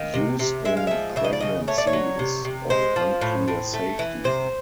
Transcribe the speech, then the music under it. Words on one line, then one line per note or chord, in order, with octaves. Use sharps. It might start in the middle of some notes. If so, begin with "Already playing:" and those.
Use in pregnancy is of unclear safety.
Already playing: D#3 F5
C3
C3
G#3 E5
F5
F3 E5
C#3 E5
D#5
D5
C#3 D#5
A3 C#5
D5
C#5
F#3
C3
C3
G#3 C5
F3
A2
A2
A3
E3
C3 C5